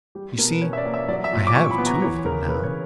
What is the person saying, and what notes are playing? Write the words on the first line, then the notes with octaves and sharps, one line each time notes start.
You see, I have two of them now.
G3 G4
B2 A#4
B4
C#4 C#5
E5
D5
A#3
E5
F#3 D5
E5
A#2
D6
A#2 C#6
B5
B3
A#5
E3 C#5
C#3 A#4
C#3 B4
C#5